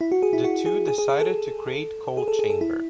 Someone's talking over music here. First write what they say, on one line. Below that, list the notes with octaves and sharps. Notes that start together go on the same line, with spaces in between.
The two decided to create Coal Chamber.
E4
F#4
G#4
E4
F#4
G#4
G#4
G#4
G#4
A4
G#4
A4
G#4
A4
E4